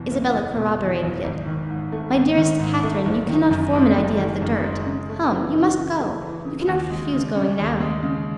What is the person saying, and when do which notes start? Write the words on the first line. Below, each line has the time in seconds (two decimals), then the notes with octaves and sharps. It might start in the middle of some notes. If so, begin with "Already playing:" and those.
Isabella corroborated it: "My dearest Catherine, you cannot form an idea of the dirt; come, you must go; you cannot refuse going now."
Already playing: F#1 E2 B2
0.11 F#1
0.34 F#1
0.56 B2
0.79 E2
1.02 F#1
1.24 G#1
1.47 D#3
1.70 G#2
1.92 A3
2.15 G#1
2.37 D#3
2.60 G#2
2.83 A3
3.05 F#1
3.28 D#3
3.51 F#2
3.73 G#3
3.96 F#1
4.18 D#3
4.41 F#2
4.64 G#3
4.86 C#3
5.09 A3
5.32 E3
5.54 C#3
5.77 C#3
6.00 A3
6.22 E3
6.45 C#3
6.67 D#2
6.90 G#3
7.13 C#3
7.35 C#4
7.58 D#2
7.80 G#3
8.03 C#3